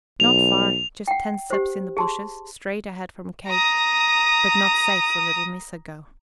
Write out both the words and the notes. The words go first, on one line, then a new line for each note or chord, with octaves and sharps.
"Not far, just ten steps in the bushes, straight ahead from cave, but not safe for little Missa go."
B1 F7
F#5 G5
G4 C5
G#4 A5 C6
A#5 D#6